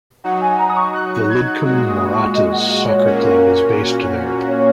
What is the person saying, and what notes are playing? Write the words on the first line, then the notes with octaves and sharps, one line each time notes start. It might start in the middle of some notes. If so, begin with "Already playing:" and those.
The Lidcombe Waratahs soccer club is based there.
F#3 D#4 F#4 F#5
G#5
A#5
D#6
C#6
F#6
F#6
G#6
F#6
A#2 G#3 F#4
D#6
C#6
D#5
F#5
D#5
C#5
A#2 A#3 C#4 F#4 A#4
C#5